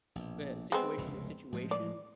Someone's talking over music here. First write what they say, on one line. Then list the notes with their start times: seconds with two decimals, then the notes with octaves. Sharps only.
the situation to situation.
0.15 A#1 B2
0.72 G#3 B3 C4
0.97 F1 C#2 A2
1.52 A2 F3 G#3
1.71 D5